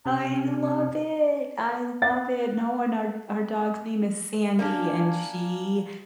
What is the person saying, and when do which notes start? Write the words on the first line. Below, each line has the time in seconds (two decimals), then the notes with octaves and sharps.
I love it. I love it. No and our our dog's name is Sandy, and she
0.06 C3 C#4
2.02 F#5 A6
4.59 A#3 C#4 D4